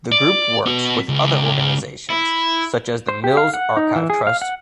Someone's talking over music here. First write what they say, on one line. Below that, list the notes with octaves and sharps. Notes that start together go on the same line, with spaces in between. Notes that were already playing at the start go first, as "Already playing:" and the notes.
The group works with other organisations such as the Mills Archive Trust.
D5
B3 F#4
C#2
E4
C5
G4
F5
F#5
D#4
E3
G#4
F5
F#5